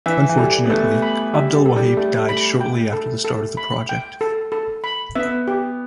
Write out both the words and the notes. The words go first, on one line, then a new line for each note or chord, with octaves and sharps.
Unfortunately, Abdelwaheb died shortly after the start of the project.
E3 E5
E3
G3 A4
B3
A3 A4
B5
G3 E5
G3
A4
G3
A3 A4
B5
G5
A4
A4
B5
G5
A4
A4
B5
B3 E5
G4